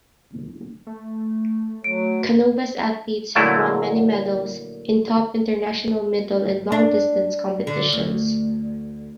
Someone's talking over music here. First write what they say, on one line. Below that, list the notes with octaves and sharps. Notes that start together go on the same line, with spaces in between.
Canova's athletes have won many medals in top international middle and long distance competitions.
A3
F#3 D7
A#2 D3 F#3 A3 E4 F4
D4
D3
D2